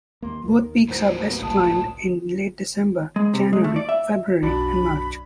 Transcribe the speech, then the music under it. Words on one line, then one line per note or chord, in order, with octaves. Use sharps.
Both peaks are best climbed in late December, January, February and March.
D#2 A#3 C6
D#2 D#3 A#4
A2 F#3 A#3 C5
G3 B3
G#1 C#2 A5 D#6
G#3
C3
G#3
A3
D5
E5
B1 F#2 D4 B5